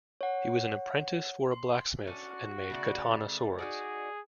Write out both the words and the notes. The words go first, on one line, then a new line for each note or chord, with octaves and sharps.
He was an apprentice for a blacksmith and made katana swords.
C#5 F#5
C6
C#4 D4 F#4 A4
C#3 A3 D5
D#4 F#4 G#4 D5